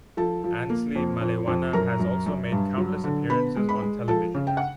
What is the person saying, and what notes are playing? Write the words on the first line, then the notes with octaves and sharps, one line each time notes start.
Annesley Malewana has also made countless appearances on television.
F3 A4 A5
F3
A#3
F2
F2
F2
F#2 A#4 A#5
F#2
F#2
G2
F#3
D3
B3 B4 B5
G#3
B4 B5
G#3
F3 A4 A5
C#3
G5
F#5